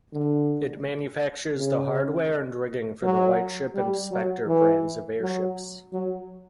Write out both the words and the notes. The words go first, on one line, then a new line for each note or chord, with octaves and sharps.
It manufactures the hardware and rigging for the Lightship and Spector brands of airships.
D3
C#3
F#3
G3
F#3
E3
F#3
F#3